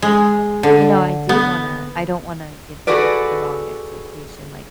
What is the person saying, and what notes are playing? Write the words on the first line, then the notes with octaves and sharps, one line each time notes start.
you know, I do wanna I don't wanna give him the wrong expectation, like,
G#3
D3
B3
F#4 G#4 A4 B4 D5